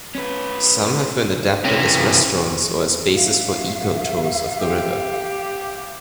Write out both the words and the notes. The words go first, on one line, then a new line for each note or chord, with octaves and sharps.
Some have been adapted as restaurants or as bases for eco-tours of the river.
C#4 B4
C3 E3 C#4
E5 F5
G4